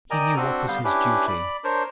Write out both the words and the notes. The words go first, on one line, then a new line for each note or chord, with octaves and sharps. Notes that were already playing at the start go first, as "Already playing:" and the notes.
He knew what was his duty.
A#4 D5 D#5 G5 G#5 A#5
C4 D4 F#4 A4
D3 G3 B3 F5 G6
C#4 D4 E4 G4 B4
D5 B5
D4 A#4 C5 C#5